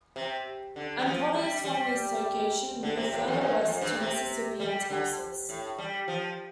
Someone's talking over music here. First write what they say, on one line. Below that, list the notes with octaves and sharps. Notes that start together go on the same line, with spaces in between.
And potters from this location moved further West to Mississippi and Texas.
C3
D3
G3
F3
G3
G3
D3
C3
A2
F2
G2
F2
G2
C3
G3
D3
A2
G3
F3